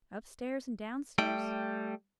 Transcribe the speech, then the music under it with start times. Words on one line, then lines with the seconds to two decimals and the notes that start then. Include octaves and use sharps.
Upstairs, and downstairs.
1.18 G3 A3 G5